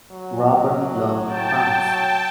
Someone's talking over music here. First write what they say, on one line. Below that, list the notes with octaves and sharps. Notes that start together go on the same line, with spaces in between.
Robert loved pranks.
F#3
G5 A5